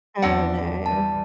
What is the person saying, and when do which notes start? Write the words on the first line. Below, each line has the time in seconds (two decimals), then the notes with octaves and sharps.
Oh, no.
0.22 E2 C4 D4 F#5
0.86 E3 G3 A5